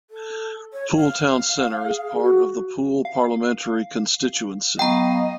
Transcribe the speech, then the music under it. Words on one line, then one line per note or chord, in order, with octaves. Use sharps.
Poole Town Centre is part of the Poole parliamentary constituency.
A4
C#5
F5
G#4
F#4
F5
F#3 B3 D#5 F5 G5 A#5 C#6